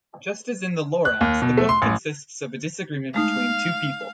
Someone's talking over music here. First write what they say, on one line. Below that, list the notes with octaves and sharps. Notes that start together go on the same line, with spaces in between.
Just as in "The Lorax", the book consists of a disagreement between two people.
F#6
D#2
B2
A3
C6
A1
G#3 A3 D#4 F5